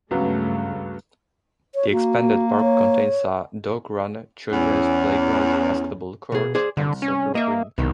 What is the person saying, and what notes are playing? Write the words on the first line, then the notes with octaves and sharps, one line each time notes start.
The expanded park contains a dog run, children's playground, basketball court, and soccer green.
C#2 G2 C#3 F#3 A3 B3
C#5
A#3 F#4
C#5
E2 C#4
B2 G#4
G#4 C5 D5
C2 D3
C#4
A#3 D#5 E5
C2 B2 D#3